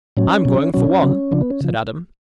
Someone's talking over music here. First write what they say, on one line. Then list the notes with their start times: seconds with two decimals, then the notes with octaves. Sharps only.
"I'm going, for one," said Adam.
0.17 A2 F#3 C#4
0.45 B2 F#3
0.74 B2 F#3 C#4
1.03 C#3 F#3
1.31 C#3 F3 D4
1.41 B3
1.50 C#4
1.61 C#3 F3